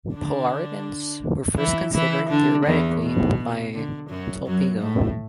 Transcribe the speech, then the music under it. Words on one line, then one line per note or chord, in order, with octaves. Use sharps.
Polaritons were first considered theoretically by Tolpygo.
D3 D4
E3 E4
E3 E4
D3 D4
E2 E3
B2
D3
F#2 F#3
F#2 F#3
A2 A3